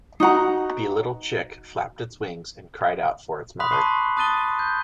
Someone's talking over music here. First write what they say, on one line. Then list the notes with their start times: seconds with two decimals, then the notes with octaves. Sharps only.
The little chick flapped its wings and cried out for its mother.
0.20 D#4 F#4 F#5 A#5
3.60 B5 C6 D#6 F#6 B6
3.72 A5 C6 C#6 C7
4.17 A5 D#6 F#6 A6 D#7 G7
4.59 G6